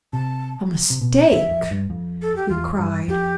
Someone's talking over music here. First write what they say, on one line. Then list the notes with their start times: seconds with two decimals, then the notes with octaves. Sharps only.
"A mistake!" he cried.
0.13 C3 A5
0.90 C3
1.01 B2
1.31 F2 E5
1.51 F2
1.71 G2
1.90 F2
2.22 A4
2.36 G4
2.49 E2 F4
2.78 G2
3.08 F2 G4